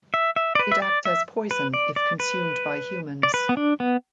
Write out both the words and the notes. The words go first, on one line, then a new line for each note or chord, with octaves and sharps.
It acts as poison if consumed by humans.
E5
E5
D5
B4
E5
D5
E5
B4
D5
D5
B4
D5
B4
B3
D4
B3